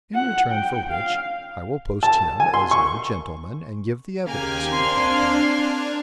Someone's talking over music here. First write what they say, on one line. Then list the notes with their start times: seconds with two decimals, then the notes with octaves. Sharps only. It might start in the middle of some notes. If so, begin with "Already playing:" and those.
"In return for which I will post him as no gentleman, and give the evidence," replied Briarly.
0.15 F#5
0.52 G5
0.90 F5
2.03 A5
2.40 G#5
2.54 C6
2.71 C#6
4.26 D#2 C#3 A#3 G4 G5 G#5 F6
4.72 C4 D4 C6